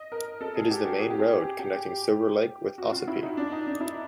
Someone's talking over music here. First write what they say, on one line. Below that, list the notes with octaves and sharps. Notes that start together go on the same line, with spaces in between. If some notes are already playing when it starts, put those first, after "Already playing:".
It is the main road connecting Silver Lake with Ossipee.
Already playing: D#5
A#4
A4
G#4
G4
F#4
G#4
G4
G#4
G4
F#4
F4
E4
D#4
D4
D#4
D4
E4